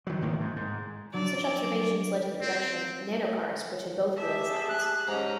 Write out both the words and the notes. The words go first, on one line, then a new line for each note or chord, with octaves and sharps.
Such observations led to the production of nanocars which had both wheel designs.
D#3 F#3
G#1 A2 D#3 A#3
G#2
G#2
F#3 D4 D5
C4
G4 G#4 E5 A5
F#6
G#2 C#4 G4 A#5